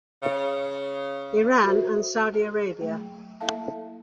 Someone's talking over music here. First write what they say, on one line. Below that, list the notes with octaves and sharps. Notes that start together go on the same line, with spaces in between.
Iran and Saudi Arabia.
C#3
F#4 A4 A#4 C5 E5
G#4 D#5
F#3 A3
A#3 E4 A4 E5 F5 A5